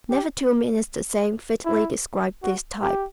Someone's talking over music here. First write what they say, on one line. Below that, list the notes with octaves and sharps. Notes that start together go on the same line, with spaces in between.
"Never two minutes the same" fitly describes this type.
G4
E4
F#4
G4